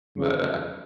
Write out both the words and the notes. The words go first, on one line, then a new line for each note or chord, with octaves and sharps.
but, uh
C#3